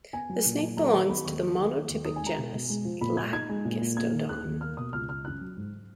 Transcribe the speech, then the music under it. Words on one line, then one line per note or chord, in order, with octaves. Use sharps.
The snake belongs to the monotypic genus "Elachistodon".
B3 G#5
F#3
A#2
A#2
F#3 A#5
D#3
B3 B5
D#2 C#6
F#3
D#3
A#3
D#2
D#4 D#6
G#5
G#3 A#5
B2
B2
G#3
F3
A#2 B5
A#2 G#6
D#4 G#6
G#3
A#2
A#2
A#3 G#6
D#3
D#2 F#6
D#2
A#3 F6
B2 D#6
C#2 F6
C#2 F6
C#4 F#6
F#3
G#2